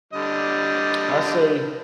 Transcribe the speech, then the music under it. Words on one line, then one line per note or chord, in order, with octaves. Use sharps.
I say
D3 G3 D#5